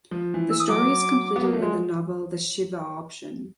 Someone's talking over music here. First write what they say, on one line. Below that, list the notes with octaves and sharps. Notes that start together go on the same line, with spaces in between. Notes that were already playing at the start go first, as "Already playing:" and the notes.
The story is completed in the novel "The Shiva Option".
F3
E3
E6
D#6
F#3 D6
B3
A#3
A3
G#3